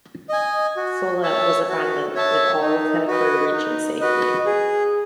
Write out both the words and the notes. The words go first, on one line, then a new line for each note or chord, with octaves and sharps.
"Fuller" was abandoned, with all of her crew reaching safety.
D#5 G#5
F#4
C#5 E5 A5
F#4
C#5 E5 A5
D#4
F#4 B4 D#5
D#4
F#4 B4 D#5
G#4